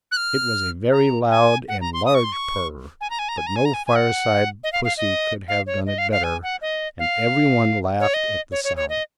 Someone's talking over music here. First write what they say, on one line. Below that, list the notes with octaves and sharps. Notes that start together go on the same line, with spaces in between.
It was a very loud and large purr, but no fireside pussy could have done it better, and every one laughed at the sound.
F#6
F6
A#5
G#5
F#5
A#5
C6
D#6
C#6
C6
C#6
G#5
A#5
G#5
A#5
G#5
A#5
G#5
A#5
G#5
G#5
F#5
D#5
F5
F5
D#5
F5
C#5
D#5
F5
F5
G#5
F#5
D#5
F5
C#5
D#5
C#5
C#5
C#5
D#5